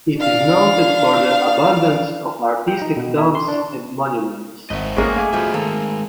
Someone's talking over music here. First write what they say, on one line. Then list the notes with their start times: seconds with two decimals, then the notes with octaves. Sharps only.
It is noted for the abundance of artistic tombs and monuments.
0.18 D4 F5
2.68 G5
2.82 D#4
2.97 B2
3.18 E4
3.35 C6
3.48 D4
4.70 G#1 D#5 E5 F#5
4.96 G#2 G#3 A#3 C#4 G#4
5.16 A3 F5 G#5 D6
5.33 B2 F3 A3 F#4 G#4 E5
5.54 D#3 G#3 A#3 D#4 A4